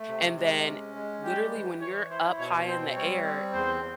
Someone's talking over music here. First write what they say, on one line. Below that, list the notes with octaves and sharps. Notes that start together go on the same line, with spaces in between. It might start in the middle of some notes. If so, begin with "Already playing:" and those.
And then, literally, when you're up high in the air,
Already playing: A3
C3
G#3
C#4
G#3
G3 G4
E3
E3 C#5
E4 C5
B2 C#5
C4 C5
G3 C#5
C4
E2 C5